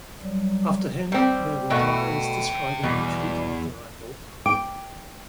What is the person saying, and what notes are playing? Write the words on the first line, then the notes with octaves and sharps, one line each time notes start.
After him there were diaries describing the retreat of the Wrangel army.
F#3 G3
G3 C4
B2 A3 F#4 E5 G5
E2 B2 G3
G5 D6